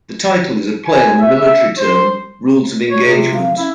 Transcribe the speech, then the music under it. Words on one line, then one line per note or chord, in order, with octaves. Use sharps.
The title is a play on the military term, "Rules of engagement".
G#5
E5
C5
C#5
C3 G#4
F4
F5
C#4 E4